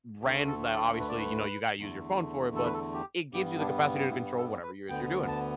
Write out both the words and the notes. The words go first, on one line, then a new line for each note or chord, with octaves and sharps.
ran that obviously, you know, you gotta use your phone for it, but it gives you the capacity to control whatever it is you're doing.
D2 D3 A3 G4
A4
A4
B4
D5
B4
E2 D3 A3
A4
B4
A4
G4
G2 G3 B3 G4
D4
E4
A4
B4
D2 D3 B3 G5
A5